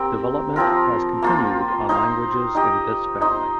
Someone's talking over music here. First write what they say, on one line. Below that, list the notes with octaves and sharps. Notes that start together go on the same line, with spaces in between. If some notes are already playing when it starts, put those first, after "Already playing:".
Development has continued on languages in this family.
Already playing: C4 G4 A#4
F3 C4 F4 A#4
A#3 F4 C5
D#4 C5 F5
D#4 G4 D#5
D#4 C5 D#5